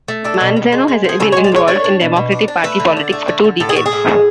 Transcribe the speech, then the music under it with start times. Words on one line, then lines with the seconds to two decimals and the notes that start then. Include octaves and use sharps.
Manzano has been involved in Democratic Party politics for two decades.
0.08 A3
0.24 D4 A4
0.41 B2
0.56 B2
0.72 G#3
0.88 G#3
1.04 F3 G#4
1.20 C#3 A4
1.32 C#5
1.37 G#3
1.44 D5
1.52 G#3 C#5
1.68 D4 C#5
1.84 D4
2.01 B2
2.17 B2
2.32 D4
2.48 D4
2.64 A3 B4
2.80 D3
2.97 D4
3.12 A3
3.28 D3
3.44 D3
3.60 A2 A4
3.69 G#4
3.76 A2 F#4
3.86 G#4
3.93 A2
4.08 G#3